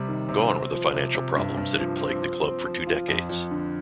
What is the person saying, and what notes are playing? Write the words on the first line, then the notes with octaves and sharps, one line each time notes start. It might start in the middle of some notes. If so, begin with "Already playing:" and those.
Gone were the financial problems that had plagued the club for two decades.
Already playing: C3 G3
D#3
C3
C4
F3
C3
C3
G2
G2
F3
C4
F3
C4
F3
F4
F2
F2
D3